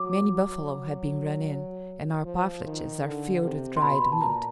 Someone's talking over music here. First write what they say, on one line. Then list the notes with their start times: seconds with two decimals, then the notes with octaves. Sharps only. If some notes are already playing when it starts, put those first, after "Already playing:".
Many buffalo have been run in, and our parfleches are filled with dried meat.
Already playing: F#3 D6
0.30 F#3
2.25 F3
2.65 D#3
3.04 D3
3.43 C3
3.77 C6
3.82 B2 B5
4.02 B5
4.12 A5
4.20 A#2 A#5